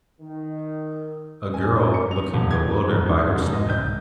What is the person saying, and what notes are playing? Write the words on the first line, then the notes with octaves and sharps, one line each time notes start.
A girl looking bewildered by her snowman.
D#3
G#5
C#7
F7
D#1
G#6
G1
G#2
F1
D#5
G6